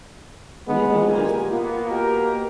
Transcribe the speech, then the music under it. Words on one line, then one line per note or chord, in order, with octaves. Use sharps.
you know, just
G#3 B3
A#2 G4 A#4 G#5
A#3 B3 F4
B2 G4 A#4